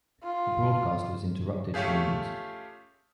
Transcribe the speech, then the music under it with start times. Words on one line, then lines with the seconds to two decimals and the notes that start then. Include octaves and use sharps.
The broadcast was interrupted for news.
0.23 F4
1.74 A3 C#4 F4 G4 G#4